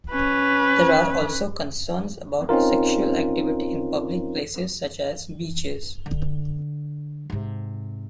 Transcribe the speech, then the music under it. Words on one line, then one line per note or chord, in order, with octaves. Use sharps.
There are also concerns about sexual activity in public places such as beaches.
C#4 B4
C4 C#4 D#4 F4 A#4
D3
G#2 C3